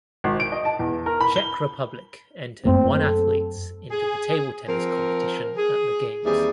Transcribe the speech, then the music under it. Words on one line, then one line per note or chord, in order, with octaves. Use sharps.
Czech Republic entered one athletes into the table tennis competition at the games.
G#1
D7
D#5
A5
E2
A#4
B5
G7
F#2 A3 A#3 C4
A4
G#4
F3 C4 A#4
G#4
D#2 E3 G3 C4 G#4